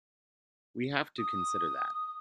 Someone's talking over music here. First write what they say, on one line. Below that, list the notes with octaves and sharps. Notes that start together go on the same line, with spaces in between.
We have to consider that.
D#6